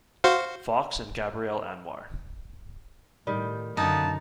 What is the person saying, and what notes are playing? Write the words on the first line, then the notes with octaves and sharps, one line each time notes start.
Fox and Gabrielle Anwar.
F#4 C5 F5
A2 D#3 G3
F#2 D3 A#3 B3 D#4 A5